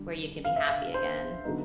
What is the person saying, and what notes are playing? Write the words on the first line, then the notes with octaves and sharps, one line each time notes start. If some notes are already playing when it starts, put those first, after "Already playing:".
where you can be happy again.
Already playing: D3 G3
F5
E5
F5
C5
D3 F#3 B3 D#4